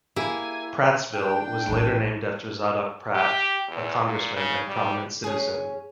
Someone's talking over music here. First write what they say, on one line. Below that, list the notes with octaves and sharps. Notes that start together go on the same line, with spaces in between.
Prattsville was later named after Zadock Pratt, a congressman and prominent citizen.
A#3 E4 G4 G#4 G#5
D4 G5
A1 E4
G4
E2
A#2
C#3
G3
C#4 G#4